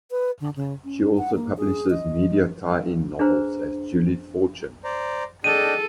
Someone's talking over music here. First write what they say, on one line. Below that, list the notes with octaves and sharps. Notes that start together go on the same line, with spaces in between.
She also publishes media tie-in novels as Julie Fortune.
B4
D3
C#3
C#4
F#5
A#3
G#4
D#5
D4 G#4 B4 C5 A#5
C5 D5 A#5
D4 G#4 A4 D#5 G5 D#7